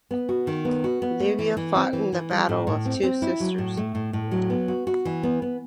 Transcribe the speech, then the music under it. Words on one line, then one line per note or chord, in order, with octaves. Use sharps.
Leiva fought in the Battle of Two Sisters.
B3
F#4
D#3
B3
F#4
B3
A3
E3
E3
C4
E3
E3
G3
A2
A2
C4
C4
E4
F#3
A2
A3
A2
A2
F#3
B3
F#4
F#4
E3
B3
B3